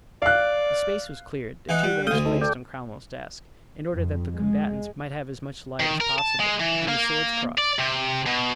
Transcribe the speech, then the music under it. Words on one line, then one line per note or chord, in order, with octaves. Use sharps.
The space was cleared, the two lamps placed on Cromwell's desk, in order that the combatants might have as much light as possible; and the swords crossed.
D5 F5 F#6
E3 D#4 F#5
G3
D2 A3 F5 D#6 G6
D#4 A4
A4 D5 G5
F2
G#3
D#3
A#4
A5
G#3
E3
A#3
D5
C3
B2